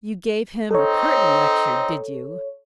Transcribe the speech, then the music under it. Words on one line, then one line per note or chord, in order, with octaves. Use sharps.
'You gave him a curtain lecture, did you?'
C4 D#4 A4 C#5